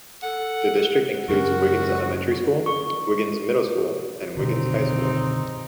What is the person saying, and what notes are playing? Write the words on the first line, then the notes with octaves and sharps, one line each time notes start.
The district includes Wiggins Elementary School, Wiggins Middle School and Wiggins High School.
A4 F#5
F#2 C#3 F#4 A#4
C#6
B2 D3 D#3 C4 D#4